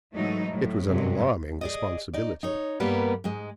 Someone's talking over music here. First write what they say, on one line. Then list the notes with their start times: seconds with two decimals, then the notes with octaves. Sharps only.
It was an alarming responsibility.
0.15 G#2 E3 F#3 A3 D#4
0.51 A2 F#3
0.85 G2 C3 F#3 G#3
1.61 G#4 D5 D#5
2.14 D#4 D5
2.43 D#4 C#5
2.80 G2 G3 A#3 B3 A#4 B4
3.24 G#2 G#3